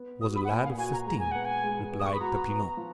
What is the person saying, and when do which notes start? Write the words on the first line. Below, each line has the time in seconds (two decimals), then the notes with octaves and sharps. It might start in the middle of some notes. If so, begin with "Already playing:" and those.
"Was a lad of fifteen," replied Peppino.
Already playing: B3
0.21 F#4 D#6
0.36 B5
0.44 F#5
0.50 A#2 G#5
0.64 F5
0.78 F#4 G#5
0.93 A#5
1.06 G#3 A#5
1.20 G#5
1.31 B3 F#5
1.45 G#5
1.64 G#3
1.92 B3
2.00 D#6
2.06 C#6
2.13 B5
2.20 F#4 A#5
2.49 B3
2.77 F3